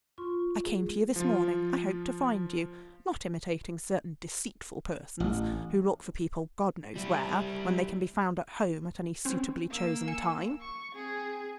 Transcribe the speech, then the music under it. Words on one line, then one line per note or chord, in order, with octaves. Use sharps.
I came to you this morning, I hoped to find you, not imitating certain deceitful persons who look for people, God knows where, when they can be found at home at any suitably chosen time.
F4 C6 C#6
G#3 G#4
F3 F4
A1
G3 E4
C4 C#4
A#3 E6
G#5 C#7
C#6
C4 G#4